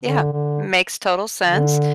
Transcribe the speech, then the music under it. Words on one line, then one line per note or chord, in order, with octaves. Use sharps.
Yeah. Makes total sense.
D3
D3
D3